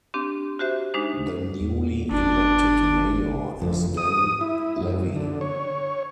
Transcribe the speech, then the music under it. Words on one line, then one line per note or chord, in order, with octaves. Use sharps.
The newly elected mayor is Dan Levy.
C4 D4 G4
F#4 G4 C5 E5
G#3 D4 D#4 C5
E2
G1 D4
F2
D#6
E4
F#2
D3
C#5